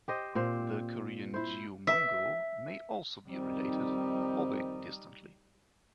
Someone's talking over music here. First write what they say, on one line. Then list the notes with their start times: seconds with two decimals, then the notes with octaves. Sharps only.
The Korean "geomungo" may also be related, albeit distantly.
0.08 G4 C5 D#5
0.35 A#2 C4 C5
1.34 E4 C5
1.87 E5
3.29 F2 D#3 G3 C4 D#4